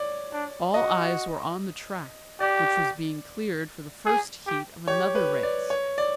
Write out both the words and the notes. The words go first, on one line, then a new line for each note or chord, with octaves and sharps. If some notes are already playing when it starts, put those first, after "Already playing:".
All eyes were on the track, which was being cleared for the first heat of another race.
Already playing: C#5 D5
D4
F#4 D#5
G4 D5
G#4
G4
G4 C#5
B4
D5
C#5
D5